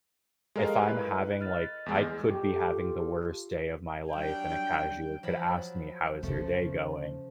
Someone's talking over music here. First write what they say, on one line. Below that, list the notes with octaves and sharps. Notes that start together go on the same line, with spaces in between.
If I'm having, like I could be having the worst day of my life, and a cashier could ask me, "How is your day going?"
G#3 G4 A4 A#4 D#5 F5
E4 B4
D#5 F6 A6
E2 G#3
F4 G4 A4
F#3 G3 D4 G5
F3 F#3 B5
C#3 F3 A3